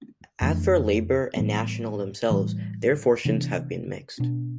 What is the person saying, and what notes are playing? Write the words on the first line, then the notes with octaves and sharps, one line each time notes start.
As for Labour and National themselves, their fortunes have been mixed.
F2 E3 A3 D4
A2 E3 G3 B3
A2 E3 G3
C3 E3 B3 D4
B2 B3 D4